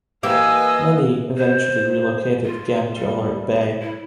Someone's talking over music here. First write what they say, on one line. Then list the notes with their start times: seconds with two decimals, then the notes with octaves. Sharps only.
Many eventually relocated again to Alert Bay.
0.23 E3 A#3 G4 B4 D#5 F5 G#5 E6
1.37 C5
2.45 F4
2.97 G3
3.82 E4